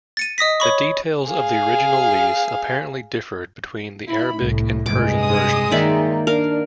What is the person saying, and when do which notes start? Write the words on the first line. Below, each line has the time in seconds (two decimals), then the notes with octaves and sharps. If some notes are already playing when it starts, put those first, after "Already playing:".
The details of the original lease apparently differed between the Arabic and Persian versions.
0.17 A6 C#7 D#7
0.38 D#5 D#6 A#6 B6
0.60 C#5 B5 C#6
1.27 G#4 F5
4.08 E4 B5
4.40 C2 A2
4.86 G2 C3 G#3 D6
5.22 D#6
5.72 D#3 A#3 D#4 D5 E5
6.27 D4 A#4 F5